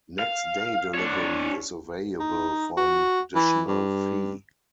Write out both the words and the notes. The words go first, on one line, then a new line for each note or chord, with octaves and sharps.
Next day delivery is available for an additional fee.
F5
D4 C#5
D#4
F#4
E3
G2